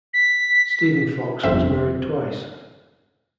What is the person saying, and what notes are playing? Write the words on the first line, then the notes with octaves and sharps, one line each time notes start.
Stephen Fox was married twice.
B6
G1 F2 C4 E5